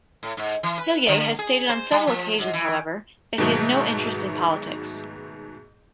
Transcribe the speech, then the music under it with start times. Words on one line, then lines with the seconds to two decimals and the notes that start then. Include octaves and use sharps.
Hillier has stated on several occasions however that he has no interest in politics.
0.23 A2
0.37 G#2
0.63 E3
0.78 B4
1.09 D3
1.39 G#4
1.69 C5
1.91 G3
2.07 F3
2.39 G#2
2.53 E3
3.38 G#2 B2 D#3 F#3 A3